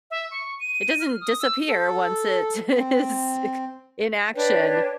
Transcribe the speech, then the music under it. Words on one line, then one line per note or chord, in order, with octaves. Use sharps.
it doesn't disappear once it is it c in action,
E5
C#6
D#7
F6
D#6
E6
A4
C4
D4 B4 C#5 G5